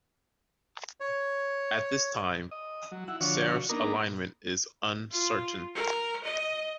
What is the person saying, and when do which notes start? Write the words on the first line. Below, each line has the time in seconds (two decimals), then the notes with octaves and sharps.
At this time, Seraph's alignment is uncertain.
1.00 C#5
2.51 D#5
2.92 F#3
3.08 E4 F#5
3.21 D3 F3 F#4 C#5
3.69 A#3 B3 D4 D#4 A#4
5.11 F4
5.75 A#4
6.24 D#5